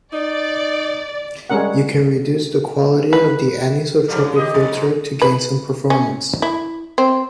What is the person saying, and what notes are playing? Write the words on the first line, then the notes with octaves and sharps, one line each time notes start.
You can reduce the quality of the anisotropic filter to gain some performance.
D#4 D5
G3 G#3 C#4 A#4 F#5
B4
G#2 F3 G3
C#3
D#2 G4 D#5
F#3
G#2
B4
C#4
E4
C4